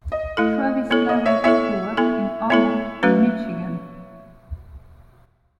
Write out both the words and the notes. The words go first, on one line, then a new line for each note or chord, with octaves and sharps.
Travis Claridge grew up in Almont, Michigan.
D#5
A3 E4 A4
B3 E4 A4 C#5
D#5
C#5 E5
B3 E4 A4 C#5 E5
B3 E4 A4
B3 E4 A4 C#5 E5
F#3 A3 C#4 F#4 B4